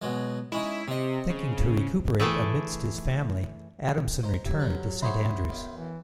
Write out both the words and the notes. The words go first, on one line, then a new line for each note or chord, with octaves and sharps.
Thinking to recuperate amidst his family, Adamson returned to Saint Andrews.
B2 F#3 G#3
G#3 C#4 D#4 E4
C3 C4 D#5
C#3
E3 A3 G#4 G5 A5
C5 D#5 A#5
F#3 E4 G4
D3 A#4 B4
F#4 G#4 C5 E5 B5 C6
B1 D#3
E3